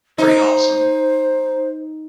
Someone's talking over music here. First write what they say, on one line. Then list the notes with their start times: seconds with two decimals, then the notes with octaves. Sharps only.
pretty awesome.
0.18 D#4 C5